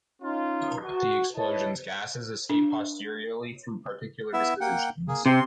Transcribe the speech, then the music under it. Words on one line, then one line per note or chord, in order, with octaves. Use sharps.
The explosions’ gases escape posteriorly through particular dispositions.
C#4 D#4 F4
F#4
E4 B4 C#5 D#5 A5
D4
B3 E4 E5
A#3 F#5 G5
A#3 G#4
C3 C6